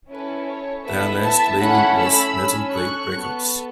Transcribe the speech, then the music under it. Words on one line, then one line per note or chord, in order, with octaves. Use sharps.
Their last label was Metal Blade Records.
C#4 E4 A4 B4
C#5
B3 E4 A4 B4 E5
E5 A5
A3 C#4 E4 A4 F#5 B5
B5 E6
C#4 A4
C#6 F#6
B3 A4